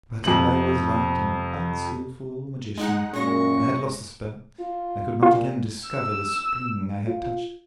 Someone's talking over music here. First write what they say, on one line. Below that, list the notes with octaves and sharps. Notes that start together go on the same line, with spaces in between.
But I was like an unskilful magician; I had lost the spell; I could not again discover the spring I had touched.
F2 C3 F#7
G#3 D#4 F#5
F#2 A#2 G#3 C#4 C#6 A#6
F4
A#2 F4
E6
F4